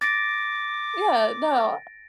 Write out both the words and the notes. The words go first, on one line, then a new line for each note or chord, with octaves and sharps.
Yeah, no.
D6 A6 A#6 D7